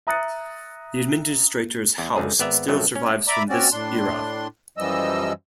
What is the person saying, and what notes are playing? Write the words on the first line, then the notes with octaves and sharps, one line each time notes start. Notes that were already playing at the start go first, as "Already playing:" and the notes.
The Administrator's House still survives from this era.
E5 A#5 D#6 F#6 A6 C#7
E2
C#2 D3 G#4
G#1 B3 D5 E5 A#5
G2 C3 D#3 F#3 A3
C#4
D5 E5 A#5 B5 D6
C4 C#4 F#4 D5
A2 D4 C6
F#2 E3 F3 G3 D#5 E6